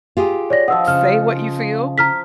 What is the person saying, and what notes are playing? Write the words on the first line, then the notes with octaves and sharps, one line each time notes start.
say what you feel,
F4 G4 G#4
C#5 D5 A#6
F3 C5 D#5 F#5 E6
C#3 F6
A#5 F6 B6